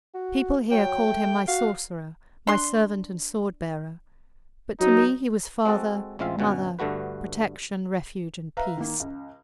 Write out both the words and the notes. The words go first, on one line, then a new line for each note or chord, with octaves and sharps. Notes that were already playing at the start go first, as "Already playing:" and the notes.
People here called him my sorcerer, my servant and sword-bearer; but to me he was father, mother, protection, refuge and peace.
F#4
F#3 G5
A3
F#4 F5
D4 C6
F#3 D#4
G#3 C4 F#4 A4
A1 G#3 C4 F4 E5 F5
G1 B2 C#4 F#5
G2 D3 A3 F#4 B4
B4 E5 F5 A#5
D#3 A#3
C#2